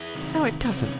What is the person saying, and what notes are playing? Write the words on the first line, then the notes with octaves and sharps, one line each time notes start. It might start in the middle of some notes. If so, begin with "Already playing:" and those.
'No, it doesn't.
Already playing: E4 G#4
C3 D#3 F#3
C3 E3 C4
C#4
C4
C#4